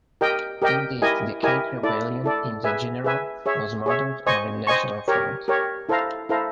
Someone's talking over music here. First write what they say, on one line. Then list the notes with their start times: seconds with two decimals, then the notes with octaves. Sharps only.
Indeed, the Cade rebellion in general was modelled on the National Front.
0.21 G4 A#4 D#5 G5
0.62 G4 A#4 D#5 G5
1.02 E4 G4 A#4 D#5 G#5
1.43 E4 G4 A#4 D#5 G#5
1.83 E4 A4 D5
2.24 E4 A4 D5
2.64 G#4 B4 E5 G#5
3.04 G#4 B4 E5 G#5
3.46 G#4 C#5 E5
3.86 G#4 C#5 E5
4.26 C5 D#5 G#5 C#6
4.67 C5 D#5 G#5 C#6
5.08 G4 A#4 C#5
5.48 G4 A#4 C#5
5.89 E4 A4 C5 F5 A#5
6.29 E4 A4 C5 F5 A#5